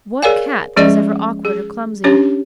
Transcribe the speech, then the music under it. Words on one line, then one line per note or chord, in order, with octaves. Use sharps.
What Cat was ever awkward or clumsy?
G#4 A#4 C#5 D5 F5 G#5
F3 G#3 C#4 G#4 D5 D#5
G#4
C#4 D4 G4 C#5